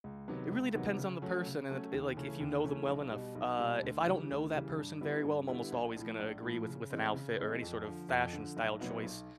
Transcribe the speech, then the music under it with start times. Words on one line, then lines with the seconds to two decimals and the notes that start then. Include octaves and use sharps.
it really depends on the person, and it it it like if you know them well enough uh, if I don't know that person very well, I'm almost always gonna agree with with an outfit or any sort of fashion style choice,
0.04 C#2
0.28 C3 D#3 F#3 B3
0.51 C#2
0.75 C3 D#3 F#3 B3
0.98 C#3
1.22 F#3 A3 C#4
1.46 C#3
1.70 F#3 A3 C#4
1.93 D#2
2.17 C#3 E3 A3 C#4
2.40 D#2
2.64 C#3 E3 A3 C#4
2.87 B1
3.12 B2 G3
3.35 B1
3.59 B2 G3
3.83 D2
4.06 C#3 E3 G3
4.31 D2
4.54 C#3 E3 G3
4.77 G2
5.01 D3 G3 B3 E4
5.25 G2
5.48 D3 G3 B3 E4
5.72 A#1
5.96 A2 F3
6.19 A#1
6.43 A2 F3
6.67 C#3
6.90 E3 G#3 C4
7.14 C#3
7.37 E3 G#3 C4
7.62 F2
7.85 D3 F3
8.09 F2
8.33 D3 F3
8.57 B1
8.79 A#2 F#3 B3 D#4
9.04 B1